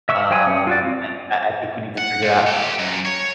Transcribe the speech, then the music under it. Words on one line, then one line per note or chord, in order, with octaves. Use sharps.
um, and I I think we need to figure out
E5 C#6 E6
F#3 C5 G5 G#5 D#6
C#4
F4 F#4 D5
C4
F#5
A#2
G4 A4
F#2
C#5